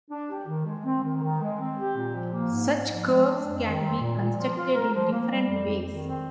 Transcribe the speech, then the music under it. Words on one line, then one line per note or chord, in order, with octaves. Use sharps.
Such curves can be constructed in different ways.
D4
G4
D#3
G#3
C4
D#3
D#3
G#3
C4
G4
A#2
F3
A#3
G#2
G#2
F3
G#3
D4
F2
D#3
C4
A#2
A#2
F3
F4
A#4
F3
A#3
G3
F2
F2
D#3
C4